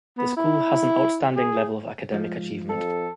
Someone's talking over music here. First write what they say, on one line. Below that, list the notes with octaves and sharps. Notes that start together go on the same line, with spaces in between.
The school has an outstanding level of academic achievement.
B3
E4
G#4
G#2 F3
F2 A4